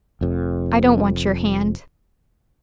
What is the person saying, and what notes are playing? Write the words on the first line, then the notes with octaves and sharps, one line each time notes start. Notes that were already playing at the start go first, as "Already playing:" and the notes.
I don't want your hand.
F1 F2